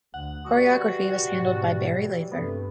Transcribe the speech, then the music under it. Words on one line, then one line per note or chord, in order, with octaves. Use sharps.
Choreography was handled by Barry Lather.
D2 F#5
E3 G3 F#4
G#2 B2
E3 F#3
G2 C3 A3 B3